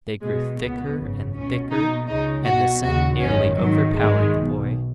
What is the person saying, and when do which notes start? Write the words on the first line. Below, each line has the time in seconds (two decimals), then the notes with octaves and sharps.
They grew thicker and thicker and the scent nearly overpowered the boy.
0.21 B1 B2 G#3
0.58 C#2 B2 B3
0.96 G#1 F#2 C#3
1.33 C#2 B2 C#4
1.70 B1 B2 D#4
2.07 C#2 C#3 D#4
2.44 B1 B2 F#4
2.82 D#2 C#3 F#4
3.19 G#1 F#2 D#3 C#4
3.56 G#1 G#2 D#3 F#3
3.94 G#1 G#2 D#3 G#3
4.31 B1 B2